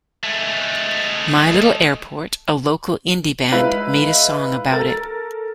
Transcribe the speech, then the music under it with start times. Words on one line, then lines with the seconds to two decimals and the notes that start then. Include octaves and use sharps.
My Little Airport, a local indie band, made a song about it.
0.24 G#3 A3
3.52 G#3 D#4 E4 B4 F5
4.71 A4 A#4 A6